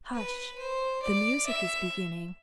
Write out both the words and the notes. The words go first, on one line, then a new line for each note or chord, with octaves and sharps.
Hush! the music is beginning.'
B4
C5
D5
E5